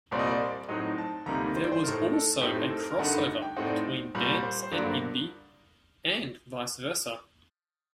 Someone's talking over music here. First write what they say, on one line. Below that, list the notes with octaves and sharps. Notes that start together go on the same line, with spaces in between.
There was also a crossover between dance and indie, and vice versa.
C2 A#2 G3 C4 D5
D#5
D5
A2 F#3 C4 D#4 D#5
A5
D2 C3 G3 A#3 D#4 A#5
C5
D5
C5
A2 A3 D#4 A#4
A4
A4
A2 A3 C4 D#4 G4
A4
A#4
A#4
G2 D3 A3 D#4 F#5
G5
A2 A3 C4 D#4 F#5
D5
C2 A#2 G3
C5
C5
G2 D3 F#3 A#3 D5